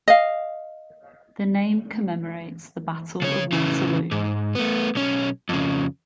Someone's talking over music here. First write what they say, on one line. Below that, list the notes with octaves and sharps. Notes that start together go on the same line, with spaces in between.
The name commemorates the Battle of Waterloo.
D#5 F5
C#3 C#5
C#3 E3
G#2
A3 B3
B1 C#4
F2 C#3